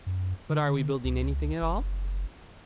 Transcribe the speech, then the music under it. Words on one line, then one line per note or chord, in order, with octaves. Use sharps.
"But are we building anything at all?"
F#2
D3
C#2
F#1